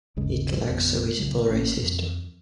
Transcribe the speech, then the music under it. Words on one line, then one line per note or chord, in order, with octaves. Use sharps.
It lacks a visible ray system.
G#1 D#2 C#3 G#3
A1 F2 D3 B3
C2 C#3 F#3 G#3
A1 A#3 C#4
F2